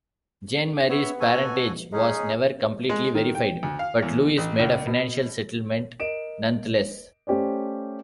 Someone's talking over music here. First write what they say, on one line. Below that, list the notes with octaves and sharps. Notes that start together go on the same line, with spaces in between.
Jeanne Marie's parentage was never completely verified, but Louis made a financial settlement nonetheless.
B3 C#5 E5
F#4 A4 G#5
G#3 C#4 D#4 G#4
G#3
D#3
G5
D2
F5
E2
A1
C#2
B2
A#4 D#5 D7 E7
A3 C#4 G4 C5 D5